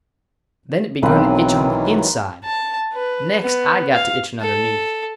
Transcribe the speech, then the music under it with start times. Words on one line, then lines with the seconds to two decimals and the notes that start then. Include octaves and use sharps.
Then it begun to itch on the inside. Next I got to itching underneath.
1.02 B1 D#3 E3 F#3 A#3 C4 B4 C5
2.44 A5
2.93 B4
3.41 B3
3.95 F5
4.41 A4